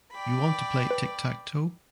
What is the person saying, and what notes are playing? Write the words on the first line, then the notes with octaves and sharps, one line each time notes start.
You want to play Tic-Tac-Toe?
D5 G5 B5
B4